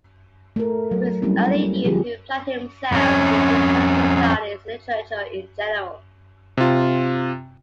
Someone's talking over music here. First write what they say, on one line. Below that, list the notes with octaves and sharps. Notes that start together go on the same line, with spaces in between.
From his early youth he applied himself to historical studies and literature in general.
A3 A#4
F#3
F#3 G3 A#3 C4 C#4 E4
D3 F3 G4 G#4
F2 C#4
C3 F4